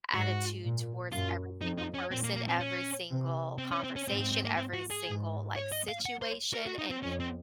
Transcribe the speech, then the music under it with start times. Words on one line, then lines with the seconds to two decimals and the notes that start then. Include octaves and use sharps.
attitude towards every single person, every single conversation, every single, like, situation, and
0.14 G#2 F#4
0.64 A#2
1.12 F#2 F4
1.61 F2 D#4
1.78 D#4
1.94 C#4
2.11 A#2 C4
2.23 A#3
2.36 A#3
2.48 C4
2.60 C#4
3.10 C3
3.58 C4
3.72 C#4
3.84 C4
3.96 C#4
4.07 G#2 C4
4.20 C4
4.32 C4
4.45 A#3
4.57 C4
4.73 F#4
4.91 G#4
5.06 G#2
5.56 C#5
5.72 D#5
5.89 F5
6.05 F#5
6.22 C5
6.54 A#4
6.66 F#4
6.79 D#4
6.90 C4
7.03 F2 C#4
7.20 C4